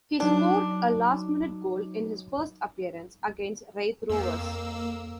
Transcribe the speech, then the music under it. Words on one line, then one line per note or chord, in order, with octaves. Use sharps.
He scored a last minute goal in his first appearance, against Raith Rovers.
F#3 D4 D#4
F2 A#3 E6